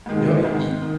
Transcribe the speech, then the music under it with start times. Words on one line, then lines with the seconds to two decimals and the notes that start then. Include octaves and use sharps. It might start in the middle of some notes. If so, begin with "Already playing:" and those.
No, e e
0.06 G#2 D#3 G#3
0.43 G#2 D#3 G#3
0.82 D#3